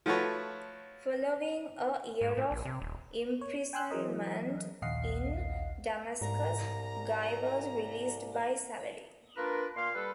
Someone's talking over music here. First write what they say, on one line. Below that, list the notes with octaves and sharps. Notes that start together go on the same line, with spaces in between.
Following a year of imprisonment in Damascus, Guy was released by Saladin.
F3 A3 F#4 B4 C#5
G#2
A2
A#1
C3
D#1
C#5
G5 G#5 C6 E6 F#6 G6
E3 F#3 G#4 A#4 D#5
A#1 D#2 D#5 F5 F#5 C7
C2 G#2 A#5
A#3 D4 F4 A#4 B4
A#2 A#3 F5 C6
G3 A4 B4